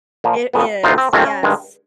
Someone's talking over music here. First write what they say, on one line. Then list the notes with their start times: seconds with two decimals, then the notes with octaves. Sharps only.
It is, yes.
0.24 A#2 F3 A#3
0.53 F2 C#3 F#3 B3
0.83 D2 C3 E3 D#4 F4
0.98 C4
1.13 F2 C3 D#3 G#3 C4 C#4
1.43 G2 D#3 G#3